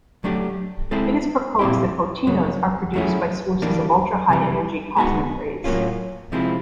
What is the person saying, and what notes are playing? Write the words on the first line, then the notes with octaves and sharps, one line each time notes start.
It is proposed that photinos are produced by sources of ultra-high-energy cosmic rays.
F#3 A3 D4 G4
G#3 C4 E4 A4 C5
A#2 G3 C4 E4 G4
F#2 C#3 F#3
F#3 A3 C#4 E4 G#4
E3 G3 A#3 D4
C3 E3 G3
G#3 B3 D#4 F#4
A2 F#3 A#3 C#4 F4
C3 F3 G#3 C4 E4